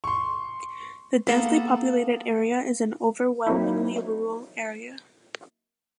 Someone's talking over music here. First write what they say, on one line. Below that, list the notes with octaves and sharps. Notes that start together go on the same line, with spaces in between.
The densely populated area is an overwhelmingly rural area.
C6 C#6
A#3 B3 A4
F#3 A#3 C4 D#4 E4